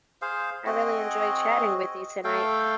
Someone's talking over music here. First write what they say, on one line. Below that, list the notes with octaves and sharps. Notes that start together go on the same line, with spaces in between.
I really enjoyed chatting with you tonight.
G#4 C5 F5
C4 F#4 G#4 D#5
A3 A4 F5 G5